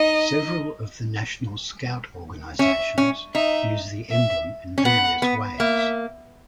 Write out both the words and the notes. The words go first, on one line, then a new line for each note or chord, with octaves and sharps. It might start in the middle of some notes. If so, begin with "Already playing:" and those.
Several of the national Scout organizations use the emblem in various ways.
Already playing: D#4 D#5
C#4 E5
C#4
D#4 E5
E5
C#4
B3 F#5
B3
A#3 E5